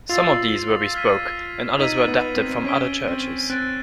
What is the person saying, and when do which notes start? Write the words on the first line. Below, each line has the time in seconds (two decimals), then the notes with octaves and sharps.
Some of these were bespoke and others were adapted from other churches.
0.09 F4 E6 A6 C7 F7
0.95 F6 G#6 B6 D#7
1.79 D#4 G#6 B6 D#7 F#7
2.08 B3
2.36 C4
2.64 C#4 G#6 B6 D7 G7
3.07 C4
3.50 C4 F#6 A6 D7 G7